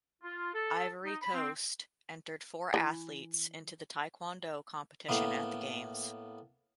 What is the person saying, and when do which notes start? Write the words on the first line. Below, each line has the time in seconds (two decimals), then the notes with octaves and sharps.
Ivory Coast entered four athletes into the taekwondo competition at the Games.
0.22 F4
0.54 A4
1.05 D#4
1.21 B5
1.34 C4
2.74 E3
5.09 A2 A#3 B3